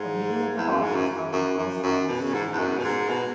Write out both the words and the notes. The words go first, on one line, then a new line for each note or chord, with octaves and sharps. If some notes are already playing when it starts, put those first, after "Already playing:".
A viewing of her body was held at the Buenos Aires City Legislature.
Already playing: G#2
E2
F#2
G#2
F#2
F#2
F#2
F#2
B2
C#3
G#2
E2
F#2
B2
G#2
B2